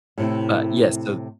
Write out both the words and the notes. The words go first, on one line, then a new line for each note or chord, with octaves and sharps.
but yeah, so
A2 C3 E4